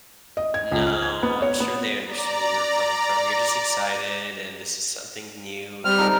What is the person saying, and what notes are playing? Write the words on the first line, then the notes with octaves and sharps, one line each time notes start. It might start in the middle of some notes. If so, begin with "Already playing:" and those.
No, I'm sure they understood where you were coming from, you're just excited, and this is something new,
D#5
G#6
C#2
F6
G#6
B3
C#5
B3
D5 A#5
G3 C4 F6
D#4 A4 A#4